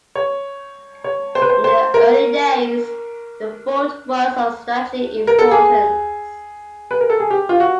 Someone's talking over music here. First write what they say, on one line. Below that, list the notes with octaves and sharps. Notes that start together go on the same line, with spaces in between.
In the early days, the fort was of strategic importance.
C#5
C#5
C5
B4
C5
C5
A#4
A#4
A4
G#4
B4
A#4
A4
G#4
G4
F4
F#4